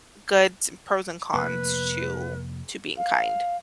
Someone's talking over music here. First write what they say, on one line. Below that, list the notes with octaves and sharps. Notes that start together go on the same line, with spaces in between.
good pros and cons to to being kind.
F1 A#3 B4
F5